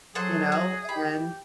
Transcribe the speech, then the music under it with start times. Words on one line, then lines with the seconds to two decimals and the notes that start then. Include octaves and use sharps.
you know? And,
0.15 F#3 G#4 A4 C5 F#5
0.52 F#4
0.89 G4 B5